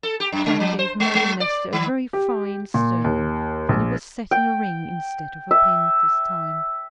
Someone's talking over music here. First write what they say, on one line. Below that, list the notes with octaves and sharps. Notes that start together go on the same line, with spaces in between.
Tom gave Mary Nestor a very fine stone, and it was set in a ring, instead of a pin, this time.
A4
G4
F#2
C#3
F3
C5
G#3
G#3
D5
D#3
G4
A#2
D#2
A#1
G5
E5